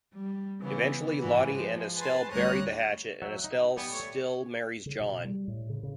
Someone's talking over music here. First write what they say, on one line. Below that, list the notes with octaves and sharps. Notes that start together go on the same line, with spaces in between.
Eventually Lotte and Estelle bury the hatchet and Estelle still marries John.
G3
C#3 E3 B3
G#2 E3 F#4 B4
F3 G#3
B4 G#5 A5 C6
D2 G3 C#5 A#5 D#6 F#6
F#3 E5 F#5
D#4
B3 G4 D5 G#5
A3 C#5
C#3
B2
G3
A2
C#3
C#3